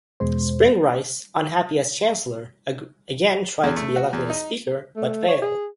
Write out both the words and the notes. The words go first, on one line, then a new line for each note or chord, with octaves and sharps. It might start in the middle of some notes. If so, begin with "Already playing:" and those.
Spring Rice, unhappy as Chancellor, again tried to be elected as Speaker, but failed.
E2 B2 G#3 C5
E2
A3
F#4
E2
D#4
A3
C#5
G#4